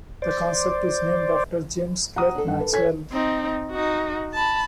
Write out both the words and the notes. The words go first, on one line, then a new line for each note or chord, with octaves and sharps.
The concept is named after James Clerk Maxwell.
C5 D5
G4 F#5 A#5 D#6
D4 A4
G2 F#5
B4
A4 C#5 G#5 G#6 B6
C4 D#4
D#4 F#4
A5 B5